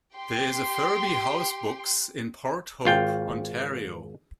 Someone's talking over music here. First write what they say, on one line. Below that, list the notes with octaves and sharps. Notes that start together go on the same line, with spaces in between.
There is a Furby House Books in Port Hope, Ontario.
G4 G5 C6
G#1 F4 G5